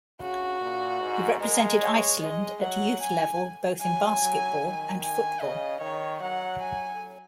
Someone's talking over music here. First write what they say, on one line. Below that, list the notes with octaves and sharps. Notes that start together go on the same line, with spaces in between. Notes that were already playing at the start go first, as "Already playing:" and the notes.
He represented Iceland at youth level both in basketball and football.
C#3 F#4
A#2
G#2
G#3 A#4
C#5
G#3 D#5
F#3 F#5
G#5
F#3 G#5
F#3
D#3
G#5
C#3 D#5
D#3 C#5
F#3 F#5
G#5